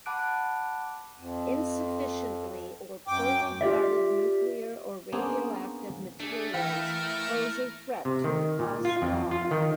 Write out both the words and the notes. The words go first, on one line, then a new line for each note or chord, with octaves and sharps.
Insufficiently or poorly guarded nuclear or radioactive materials pose a threat to us all.
F#5 A5 B5 D6 F#6 D7
F2
F#2 G5 D6
F4 G4 D5 E5
A#3 B3 C#4 D4 G#4 C5
A3 D4 G#4
E3 E4 A#4 F5 G5
C3
D#3
A#2
F4
F2
F4
D#3